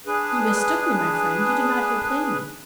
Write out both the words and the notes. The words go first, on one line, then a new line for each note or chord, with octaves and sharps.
"You mistook me, my friend; you did not hear plainly."
D4 G#4 B4